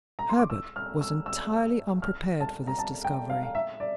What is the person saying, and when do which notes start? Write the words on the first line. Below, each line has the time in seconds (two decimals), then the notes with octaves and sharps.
Herbert was entirely unprepared for this discovery.
0.19 A#5
0.29 C6
0.39 D6
0.50 E6
0.76 F6
1.01 E6
1.26 E6
2.02 F6
2.40 A5
2.67 A#5
2.79 A5
3.05 G5
3.30 F5
3.43 F5
3.55 E5
3.80 D5